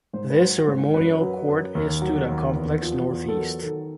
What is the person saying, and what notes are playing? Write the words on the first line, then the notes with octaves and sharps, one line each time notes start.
This Ceremonial Court is to the Complex north-east.
G#2 C5
B4
F#3 C5
G#2 C5
F#2 B4
F#3
F#2
D#2
F#3
D#2
E2
F3
E2
A4
F#3 A#4
D#3 A4